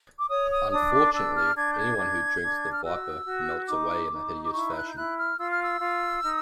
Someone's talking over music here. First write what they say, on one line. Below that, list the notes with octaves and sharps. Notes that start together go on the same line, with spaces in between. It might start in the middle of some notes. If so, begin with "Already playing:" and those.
Unfortunately, anyone who drinks the Viper melts away in a hideous fashion.
D6
C#5 D#6
D#6
D4 D#6
D6
D4 E6
F6
D4 G#6
G6
G#6
D4
D4
F6
F#4 E6
F#4
D#4 D6
D#4
D6
E4 C#6
F#6
G6
E4 F#6
F6
F4 E6
F6
E6
F4
D#4